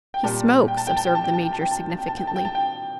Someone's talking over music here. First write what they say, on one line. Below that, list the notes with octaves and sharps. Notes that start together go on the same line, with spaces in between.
"He smokes," observed the Major, significantly.
G5
A#2 G3 A5
G5
A5
G5
A5
G5
A5
G5
A5
G5
A5
G5
A5
G5
A5
G5
A5
G5
A5
G5
A5
G5